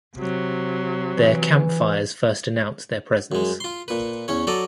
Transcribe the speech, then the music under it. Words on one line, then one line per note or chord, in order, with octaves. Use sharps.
Their campfires first announced their presence.
C3 F#3
E3
F#2 G#3
F4 C6
A#2 B4
E2 C#4 C#5
F#3 A4 D5 D#5